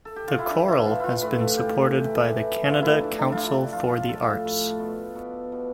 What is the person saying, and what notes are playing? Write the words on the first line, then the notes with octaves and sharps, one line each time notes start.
The Chorale has been supported by the Canada Council for the Arts.
A4
G4
F4
E4
E3 D4
E4
E3 F4
E4 F4
A2 B4
A4
A2 G4
G4
E3
E3
A2 F4
E4
A2 D4
D4
F3 E4 F4
F3 F4
A2 A4
A2
B2
B2
B2